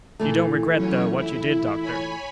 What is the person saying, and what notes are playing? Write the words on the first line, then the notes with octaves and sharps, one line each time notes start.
"You don't regret, though, what you did, doctor?"
A#2 E3 A3
F#3 C#4 C#5
E4
C#5 G#5 B5